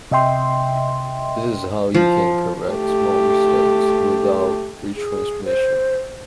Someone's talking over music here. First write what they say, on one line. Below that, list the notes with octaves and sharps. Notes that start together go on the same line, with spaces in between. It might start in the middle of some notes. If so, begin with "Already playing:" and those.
That is how you can correct small mistakes, without retransmission.
C3 D#5 E5 G5 C6
F3
A3 G4
G#4
C5